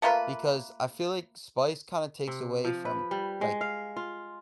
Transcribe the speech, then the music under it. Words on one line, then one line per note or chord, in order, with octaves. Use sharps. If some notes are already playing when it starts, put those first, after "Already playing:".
because I feel like spice kinda takes away from, like,
A3 A#3 F4 B4
C3
F3
B4
G3
G#3
F5
F4